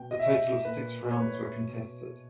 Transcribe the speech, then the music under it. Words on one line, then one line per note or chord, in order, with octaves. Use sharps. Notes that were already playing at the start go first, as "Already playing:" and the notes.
A total of six rounds were contested.
Already playing: B2 G5
D#5
E5
A#2 B4
C#5
B4
C#5
B2